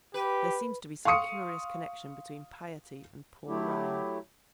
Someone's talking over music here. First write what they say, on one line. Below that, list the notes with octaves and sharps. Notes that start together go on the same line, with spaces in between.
There seems to be some curious connection between piety and poor rhymes.
G4 B4
F5 C6 C#6 D#6 C#7
F#3 A3 E4 G4